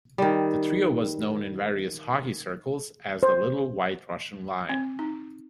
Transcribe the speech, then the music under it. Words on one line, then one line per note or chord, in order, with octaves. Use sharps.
The trio was known in various hockey circles as the "Little White Russian" line.
D#3 G3
C5
C4
D#4